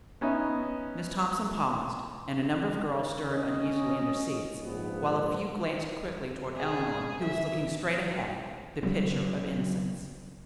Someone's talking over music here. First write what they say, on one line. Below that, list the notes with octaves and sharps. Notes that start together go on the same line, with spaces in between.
Miss Thompson paused and a number of girls stirred uneasily in their seats, while a few glanced quickly toward Eleanor, who was looking straight ahead, the picture of innocence.
B3 C#4 D#4 E5
C#4 D#5
A#1 G#2 B3
G#4
E5
C#3 F#3 G3 B3